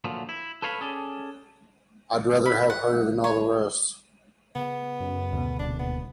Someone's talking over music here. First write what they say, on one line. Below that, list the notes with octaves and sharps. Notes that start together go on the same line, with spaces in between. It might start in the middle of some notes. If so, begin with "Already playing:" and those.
I'd rather have her than all the rest.
D2 A#2 F3 F#3
E4
A4 B4 C#5 F5 A#5 B5
C#4 G#4 A4 D5
B5
F#5
C#5
C#3 B3
F#2
D2 B2
D#1 D4
B3